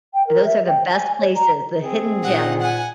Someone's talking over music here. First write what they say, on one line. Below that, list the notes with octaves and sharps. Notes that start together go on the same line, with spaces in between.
Those are the best places, the hidden gems.
G5
A#4
E5
G5
G#5
C#5
A#5
C4 G#4
A#2 D#4 F#5
F#5 G#5